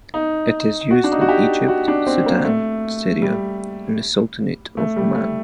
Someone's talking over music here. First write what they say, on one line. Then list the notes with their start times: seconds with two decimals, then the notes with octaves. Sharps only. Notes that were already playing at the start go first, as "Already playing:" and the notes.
It is used in Egypt, Sudan, Syria and the Sultanate of Oman.
0.14 D#4
0.91 F#4
1.04 D4
1.12 D#4
1.21 F#4
1.29 G4
1.68 F#4
1.88 D4
2.07 C4
2.26 A#3
2.44 A3
3.22 G3
4.77 A3
4.96 G3
5.15 A3